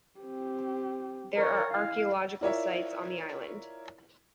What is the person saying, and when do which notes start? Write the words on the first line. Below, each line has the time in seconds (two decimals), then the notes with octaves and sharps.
There are archaeological sites on the island.
0.20 C4 G4
1.36 A#4 C#5
1.71 E4 F5
2.41 E4 F4 A#4 C#5 D5 E5